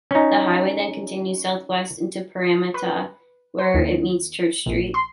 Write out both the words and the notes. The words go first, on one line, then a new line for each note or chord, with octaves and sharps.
The highway then continues south-west into Parramatta where it meets Church Street.
C#4 D#4
B4
C5
D#2
A#1
C6